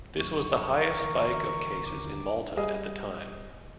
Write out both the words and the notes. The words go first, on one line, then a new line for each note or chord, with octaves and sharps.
This was the highest spike of cases in Malta at the time.
C2 F#2 C#6
A#4
D2 E3
D#2 D3 D6
G3 G#4 D#5